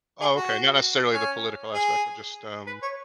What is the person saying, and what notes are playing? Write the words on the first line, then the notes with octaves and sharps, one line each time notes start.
Oh, okay, not necessarily the political aspect, but, just, um,
G#4
F#4
C#4
G#4
B4
C#5